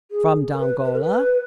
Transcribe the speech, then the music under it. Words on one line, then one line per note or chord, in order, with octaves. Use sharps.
"From Dongola?"
G#4
A#4
B4
B4
A#4
B4